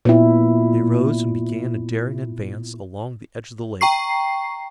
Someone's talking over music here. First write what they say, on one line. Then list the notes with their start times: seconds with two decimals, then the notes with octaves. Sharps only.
They rose and began a daring advance along the edge of the lake.
0.05 A#2 B3 E4
3.81 G5 A#5 C#6 C7